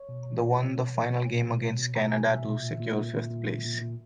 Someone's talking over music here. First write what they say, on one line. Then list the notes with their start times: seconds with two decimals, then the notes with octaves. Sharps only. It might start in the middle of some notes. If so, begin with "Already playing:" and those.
The won the final game against Canada to secure fifth place.
Already playing: C#5
0.09 B2
0.26 B2
0.42 B2
0.60 B2
0.77 B2
0.94 B2
1.11 B2
1.27 B2
1.45 B2
1.61 B2
1.78 B2
1.95 B2 A#5
2.12 B2 G#5
2.29 B2 E5
2.45 A#2
2.63 A#2
2.80 A#2
2.97 A#2
3.13 A#2
3.31 A#2
3.48 A#2
3.65 A#2
3.81 A#2